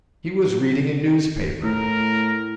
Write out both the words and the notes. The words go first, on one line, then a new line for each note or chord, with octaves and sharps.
He was reading a newspaper.
A2 A#4